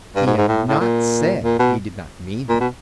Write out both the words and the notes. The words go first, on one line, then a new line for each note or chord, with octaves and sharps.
He had not said he did not mean them.
G2
G#2
G#2
A2
A2
A#2
A#2
B2
A#2
B2